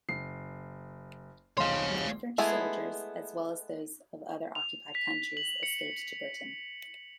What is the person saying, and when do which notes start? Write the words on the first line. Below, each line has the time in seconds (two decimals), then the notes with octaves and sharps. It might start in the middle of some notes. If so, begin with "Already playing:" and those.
Many French soldiers, as well as those of other occupied countries, escaped to Britain.
0.09 F#1 C7
1.58 D#1 B1 C#5 D#5 F5 C6
2.38 G#3 A3 B3 E4 G#4
4.55 F7
4.95 B6
5.37 F#7
5.63 C#7